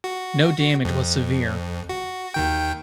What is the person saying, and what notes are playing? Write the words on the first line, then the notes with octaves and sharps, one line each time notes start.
No damage was severe.
F#4
F2
F#4
D#2 D#3 G5